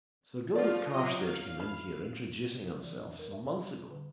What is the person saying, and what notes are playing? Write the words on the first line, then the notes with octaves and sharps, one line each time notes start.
Sir Gilbert Carstairs came in here, introducing himself, some months ago.
F3 A3 F4 D5 F5
F#3 D#5 A#5
F5
B5
E3
F2
A#4
E5
G3
D3